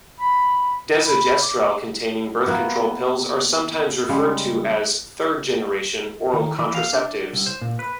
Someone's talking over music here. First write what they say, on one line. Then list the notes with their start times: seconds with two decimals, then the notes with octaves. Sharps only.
Desogestrel-containing birth control pills are sometimes referred to as "third generation" oral contraceptives.
0.19 B5
1.05 B5
1.42 D6
2.46 A#3 B3 E4 F#4
4.09 C#3 G3 G#3
6.33 D#3
6.59 E3
6.75 F5
6.93 D4
7.33 C2
7.46 C5
7.61 A#2
7.79 B4